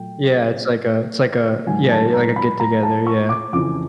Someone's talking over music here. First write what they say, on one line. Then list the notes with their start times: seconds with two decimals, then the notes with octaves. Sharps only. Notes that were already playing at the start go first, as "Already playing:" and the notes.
Yeah, it's like a it's like a yeah, yeah, like a get together, yeah.
Already playing: A#2 F#3 A3 G5
1.67 G#2 D#3 F#3 G#5
1.91 A5
2.14 A#5
2.36 B5
2.60 A#5
2.83 A5
3.07 C#6
3.29 D6
3.53 F2 C#3 E3 D6